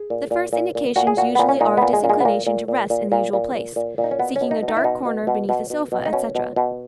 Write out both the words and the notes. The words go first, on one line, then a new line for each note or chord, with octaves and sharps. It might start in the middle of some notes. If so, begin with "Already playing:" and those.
The first indications usually are a disinclination to rest in the usual place, seeking a dark corner beneath a sofa, etc.
Already playing: G#4
A#2
A#2
A#2
A#2
A#2 F#4
G#4
A#2 F#4
A#2 B3
C#4
A#2 D#4
A#2 B3
G#3
A#2
G#3
B3
A#2 A#3
A#2
A#2
A#2
A#2
A#2
A#2
A#2
A#2
D#4
C#4
B2 B3
C#4
B2
D#4
B2
D#4
E4
B2 D#4
B2
B2
B2
B2
B2
D#4
B2 C#4
B2
B2